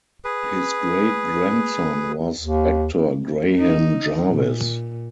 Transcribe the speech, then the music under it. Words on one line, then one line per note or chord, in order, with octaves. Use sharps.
His great-grandson was actor Graham Jarvis.
G#4 B4
D#2
D#4
A#2